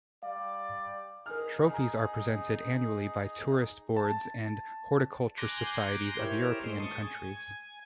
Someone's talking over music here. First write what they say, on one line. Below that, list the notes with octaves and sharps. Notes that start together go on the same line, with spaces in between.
Trophies are presented annually by tourist boards and horticultural societies of European countries.
G3 D5 F5
D#4 G#4 A#4 F6
G#5 A#5
A5
G#5 A#5 C6 D6 F#6 G6
E4 G4 A#4 C5 C#5
A2 G#3 C6
A5 C#6 D#6
G#5